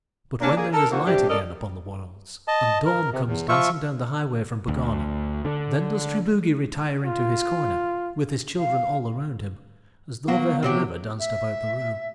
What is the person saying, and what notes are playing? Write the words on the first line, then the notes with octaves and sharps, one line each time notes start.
But when there is light again upon the worlds, and dawn comes dancing down the highway from Pegana, then does Triboogie retire into his corner, with his children all around him, as though they had never danced about the room.
A#3 C#4 D4
A#3 G#4
A4 A#4
D#3 F3 A#3 F#4
G2 C3 D4 G4
C#4 A4 A#4 D5 D#5
D#5 A5
A#4
C3
E2
F3 F4 E5 C#6
D2
D3
F4
F5
F#3 A#3 B3
C3 F#3 G4
E5